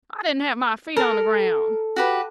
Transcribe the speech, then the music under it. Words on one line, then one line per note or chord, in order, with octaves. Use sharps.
I didn't have my feet on the ground.
A4 A#4
F#4 G4 B4